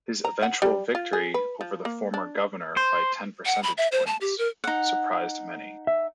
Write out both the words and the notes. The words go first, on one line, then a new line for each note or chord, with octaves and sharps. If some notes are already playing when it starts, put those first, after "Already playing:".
His eventual victory over the former governor by ten percentage points surprised many.
A#5
F#5
G3
F4
G#4
B4
F3
A#3
D4
C5
F#5
B5
E5
C5
A5
G4
A#4
D#4 F#5
E5